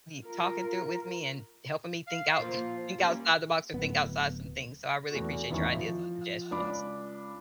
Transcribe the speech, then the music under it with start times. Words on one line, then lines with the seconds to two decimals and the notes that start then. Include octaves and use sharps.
me talking through it with me and helping me think out think outside the box or think outside some things. So, I really appreciate your ideas and suggestions.
0.25 F4 A#4
2.08 F5
2.39 A#2 F3 F4
2.98 G3 A#3 C#4
3.74 D1 B3
5.11 E2 A3 F#4
5.50 E1 A1 D#3 E4 C#6
5.72 F3
6.51 C#2 D4 B5 D6